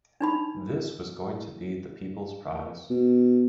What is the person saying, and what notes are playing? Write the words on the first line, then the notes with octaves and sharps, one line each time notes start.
This was going to be the people's prize.
D4 D#4 B5
B2